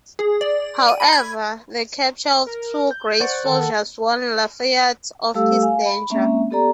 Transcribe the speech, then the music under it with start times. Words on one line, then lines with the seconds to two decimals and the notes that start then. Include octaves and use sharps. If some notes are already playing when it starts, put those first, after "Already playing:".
However, the capture of two of Grey's soldiers warned Lafayette of his danger.
0.19 G#4
0.41 D5
0.88 D#7
1.00 B5
1.12 G#6
2.47 A#4
2.91 G6
3.20 C5 D5 F#5 C#6
3.46 D#3 A4
5.34 G3 A3 G4 A4 F5 E6
5.62 F5 G#5
5.85 B5
6.10 G#3 A#3 C4 C#4 E5
6.51 B3 G4 A4 D5 A#5